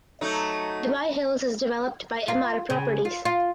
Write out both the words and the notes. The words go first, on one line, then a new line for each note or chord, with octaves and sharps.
Dubai Hills is developed by Emaar Properties.
F#3 A3 D#4
F4
C#3
F4
F4